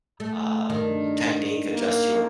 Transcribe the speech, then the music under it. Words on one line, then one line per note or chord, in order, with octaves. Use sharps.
um, technique, adjust your m m
A3
G2 D#3 A3 D4
A#3